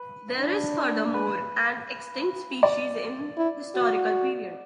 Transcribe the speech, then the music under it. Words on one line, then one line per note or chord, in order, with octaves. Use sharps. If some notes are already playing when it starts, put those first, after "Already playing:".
There is furthermore an extinct species in historical period.
Already playing: B4
D4
B4
D5
E4
F#4